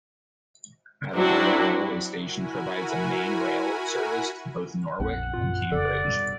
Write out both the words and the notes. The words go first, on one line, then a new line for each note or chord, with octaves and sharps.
Attleborough railway station provides a main line rail service to both Norwich and Cambridge.
F#3 C4 D4 E4 F#4
E4 F#4 A#4 F#5 G#5 B5
A#1 F2 C4 F#5
F#2 A#2 F4
E1 F2 C#3 A4 D5
G2 B2